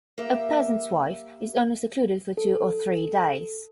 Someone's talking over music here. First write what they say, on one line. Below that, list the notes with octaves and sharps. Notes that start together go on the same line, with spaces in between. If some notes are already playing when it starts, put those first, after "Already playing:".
A peasant’s wife is only secluded for two or three days.
A#3 G4 E5
A4